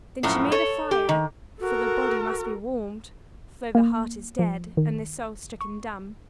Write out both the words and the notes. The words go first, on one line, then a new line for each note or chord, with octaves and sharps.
Then she made a fire, for the body must be warmed, though the heart is dead, and the soul stricken dumb.
F#2 A2 F3
A4 C#5
G4
D#3
F#4 A4 A#4
A#3
F3
D#3
C#6